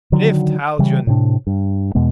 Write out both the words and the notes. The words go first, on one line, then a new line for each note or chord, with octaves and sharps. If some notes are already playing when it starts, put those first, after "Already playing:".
"Lift, Haljan!"
D3 D#3 F#3
C#3 E3 G3
A2 C3 D4
G2
E2 B2 G#3 B3